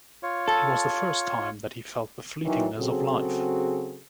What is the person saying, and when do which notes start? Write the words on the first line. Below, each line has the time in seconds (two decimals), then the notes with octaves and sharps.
It was the first time that he felt the fleetingness of life.
0.23 F4 C#5
0.48 A4
2.45 D#3 E3 F#3
2.78 C#3 F#3 C4 F#4 G#4 A4